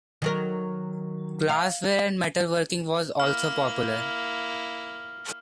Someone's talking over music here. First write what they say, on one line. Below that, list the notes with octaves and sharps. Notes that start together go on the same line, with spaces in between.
Glassware and metalworking was also popular.
D#3 F#3 A#4
F5
A#3 E4 F6